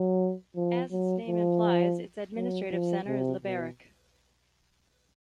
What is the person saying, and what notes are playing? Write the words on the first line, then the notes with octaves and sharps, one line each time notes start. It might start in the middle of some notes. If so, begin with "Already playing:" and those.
As its name implies, its administrative center is Liberec.
Already playing: F#3
F3
F#3
F3
F#3
F3
C3
B2